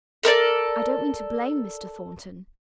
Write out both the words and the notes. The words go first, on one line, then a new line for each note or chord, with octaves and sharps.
I don't mean to blame Mr. Thornton.
A4 A#4 C#5 D5